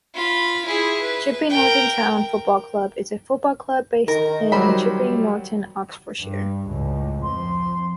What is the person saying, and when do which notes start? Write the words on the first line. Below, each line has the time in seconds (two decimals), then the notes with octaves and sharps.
Chipping Norton Town Football Club is a football club based in Chipping Norton, Oxfordshire.
0.15 F4 B5
0.65 E4 G#4
1.01 B4
1.49 A#4 G5
4.08 D#3 A#4
4.52 F#3 G3 C5 B5
6.20 G2
6.67 C#2 A2
7.22 F2 F3 C6